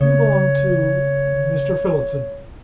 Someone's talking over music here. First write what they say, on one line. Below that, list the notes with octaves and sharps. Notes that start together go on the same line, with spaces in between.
You belong to--Mr. Phillotson.
C#3 C#5